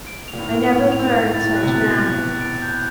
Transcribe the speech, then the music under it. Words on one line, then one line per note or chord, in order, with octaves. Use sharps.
I never learned such manners.
D7
F7
A#2
A2
F7
A2 F7
F7
G#2
A6
A2 A6
F#6
C3
B2
F#6
F#6
F#6
D7
G6